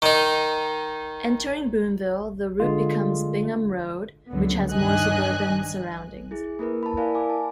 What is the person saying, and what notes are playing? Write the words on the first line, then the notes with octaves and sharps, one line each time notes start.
Entering Boonville, the route becomes Bingham Road, which has more suburban surroundings.
D#3 D#4
D3 G#3 F4
C#2 F#2 D3 F#3 B3
G2 D#3 D4 D#5 G#5 F#6
E4 G#4
A#3 E4 A#4 B4
A5 B5
E4 A#4 D5 F5 G#5
G#5 D6
A5